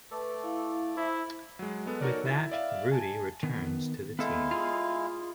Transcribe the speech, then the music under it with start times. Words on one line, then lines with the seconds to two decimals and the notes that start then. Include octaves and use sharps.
With that, Rudy returns to the team.
0.11 A3 A4 B4 D5
0.43 E4 F5
0.97 E4 C5 E5
1.59 F#3 G#3
1.86 G#3 B3 A4
2.01 D#4 F#4 A4 A#4 C#5 D5
2.25 E4 A6
2.52 D5 E5 F5
2.92 G#5 A5
3.43 D#3 B3
4.19 G#3 B3 E4 A4 F5
4.51 F4 G#4